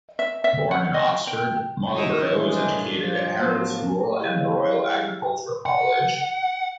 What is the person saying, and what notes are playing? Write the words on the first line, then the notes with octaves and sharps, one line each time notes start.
Born in Oxford, Marlborough was educated at Harrow School and the Royal Agricultural College.
E5
E5
F#5
D#5
G5
D#3 F#3 D#4 E4
G2 A#2 E3 G#3 A3 D4 C#5
F3
A2 F#3 A#3 B3
E4 G4 G#4 D#5 F5 G5
F#5